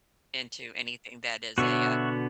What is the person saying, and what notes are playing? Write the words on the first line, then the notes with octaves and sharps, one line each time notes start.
into anything that is a, uh
B2 D3 B3 F#4 C#5 E5